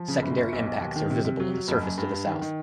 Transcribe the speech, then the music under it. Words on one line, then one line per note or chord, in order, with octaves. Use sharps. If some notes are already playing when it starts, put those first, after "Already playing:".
Secondary impacts are visible in the surface to the south.
Already playing: F3
C#3
G1
G1
B1
B1
D#2
D#3
C3
C3
F#3
F#3
F#1
F#2
G2
G2
D#3
D#3